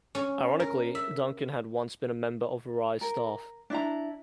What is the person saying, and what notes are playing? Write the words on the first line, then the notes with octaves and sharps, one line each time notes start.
Ironically, Duncan had once been a member of Wrye's staff.
C#4
A#4
E5
A#4
D4 E4 A#5